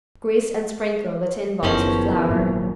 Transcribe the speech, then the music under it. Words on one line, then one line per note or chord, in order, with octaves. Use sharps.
Grease and sprinkle the tin box with flour.
F#1 E2 D#3 F3 C#4
G#1 A#2 F#3